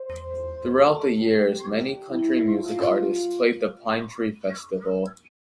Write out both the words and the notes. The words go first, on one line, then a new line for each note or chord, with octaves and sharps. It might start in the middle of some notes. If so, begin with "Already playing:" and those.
Throughout the years many country music artists played the Pine Tree Festival.
Already playing: C5
E2 C3 F3 A3
B2 G3 A4
G2 E3 A3 G4
E2 D3 G3
G2 E3 G3 E4
A2 F3 A3 F4
B2 G3